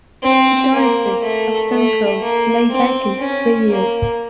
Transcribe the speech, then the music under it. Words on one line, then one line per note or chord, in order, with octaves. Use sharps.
The diocese of Dunkeld lay vacant for three years.
C4
A#3
A3
A3
A#3
C4
C#4
A#3